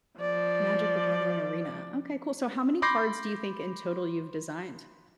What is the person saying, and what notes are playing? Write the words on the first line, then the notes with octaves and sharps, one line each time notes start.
Magic the Gathering Arena. Okay, cool. So, how many cards do you think in total you've designed?
F3 D5
B5 C6 D6 G6 A#6 C7